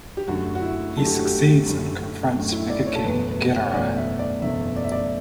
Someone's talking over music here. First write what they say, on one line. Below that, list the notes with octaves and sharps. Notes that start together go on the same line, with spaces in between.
He succeeds, and confronts Mecha-King Ghidorah.
G4
F#2 D3 A3 F#4
F#4
E4
F#2 D3 A3 A4
G4
F#4
G4
F#2 D3 A3
F#2 D3 A3
E4
D5
C#5
A4
F#1 E2 B2 A3 B4
B4
C#5
F#1 E2 B2 A3 D5
E5
D5
F#1 E2 B2 A3 E5
D5
E5
D5